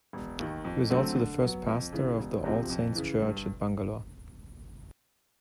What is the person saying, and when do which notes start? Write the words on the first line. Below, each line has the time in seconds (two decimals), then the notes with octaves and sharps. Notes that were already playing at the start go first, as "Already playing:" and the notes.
He was also the first pastor of the All Saints Church at Bangalore.
0.13 E1
0.39 D#2 D#3
0.65 F2
0.90 D3 F#3 A3 C4
1.15 D3
1.42 F#3 B3
1.67 F2
1.92 C#3 E3
2.18 E1
2.44 D2 C3 F3
2.70 F2
2.95 C#3 E3
3.21 G2